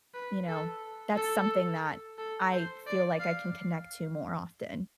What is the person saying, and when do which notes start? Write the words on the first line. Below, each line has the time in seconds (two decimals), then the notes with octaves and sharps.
you know, that's something that I feel like I can connect to more often.
0.14 B4
0.48 A4
1.16 A4
2.18 A4
2.52 C5
2.86 D5
3.20 F5